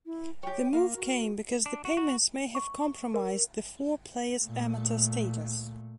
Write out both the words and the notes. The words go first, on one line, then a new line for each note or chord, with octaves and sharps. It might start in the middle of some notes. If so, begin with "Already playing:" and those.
The move came because the payments may have compromised the four players' amateur status.
E4
G4 C#5 G5
A#3 A#4 F5
F#4
D4
F#4
F#4
C#6
A#4
A#2 A3